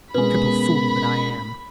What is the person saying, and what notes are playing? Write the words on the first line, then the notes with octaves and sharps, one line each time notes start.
Triple fool that I am!
B2 G#3 B3 C#4 A#4 B4 B5